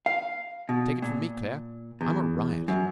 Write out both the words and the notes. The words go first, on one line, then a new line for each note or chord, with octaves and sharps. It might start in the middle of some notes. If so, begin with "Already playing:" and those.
Take it from me, Claire, I'm a riot.
F5
B2
A#2
E2
F#2